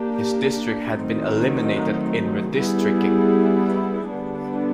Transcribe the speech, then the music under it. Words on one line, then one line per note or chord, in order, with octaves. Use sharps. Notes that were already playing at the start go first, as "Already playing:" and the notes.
His district had been eliminated in redistricting.
Already playing: A#3 D4 G4
D#3 F#3 A3 C4 D#4
G3 B3 E4 G#4
D3 G3 B3 D4